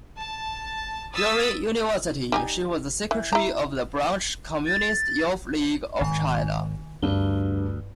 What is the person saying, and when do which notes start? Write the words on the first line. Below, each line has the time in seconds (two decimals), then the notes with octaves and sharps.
During university, she was secretary of the branch Communist Youth League of China.
0.19 A5
1.14 D#6 E6 A6 B6
2.32 G3 D#4 G#5
3.11 E3
3.33 E4 A#5
4.67 A6
6.01 G#1 D#3 G#5
7.02 D2 G2 G7